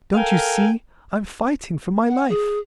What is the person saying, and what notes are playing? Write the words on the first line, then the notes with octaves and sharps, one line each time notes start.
Don't you see I'm fighting for my life?
A4 A#4 F5 G5 G#5
F#5
G#4